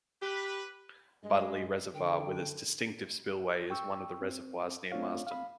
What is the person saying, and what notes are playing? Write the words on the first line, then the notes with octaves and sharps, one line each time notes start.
Butterley Reservoir with its distinctive spillway is one of the reservoirs near Marsden.
G4 B4
G2 G#3 D#5
D3 A4 G5
G5 C#6 E6
C4
A3 C4 D4 F4 C#5 F5
F5 B5